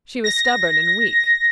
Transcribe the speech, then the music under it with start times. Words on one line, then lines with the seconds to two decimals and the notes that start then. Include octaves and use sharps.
She was stubborn and weak.
0.24 A#6